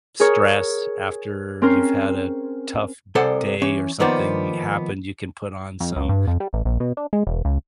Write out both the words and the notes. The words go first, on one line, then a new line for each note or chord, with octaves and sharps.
stress after you've had a tough day or something happened, you can put on some
G#4 A#4 C#5
C4 C#4 A#4 C5
C2 A4 C5 D5 F#5 G#5
E3 C#4
D#3 F3 A#3 B3 C5 D5
F2
C#2
G2
F2
G3
A1
A#1
B2
D4
G#3
E1
C#2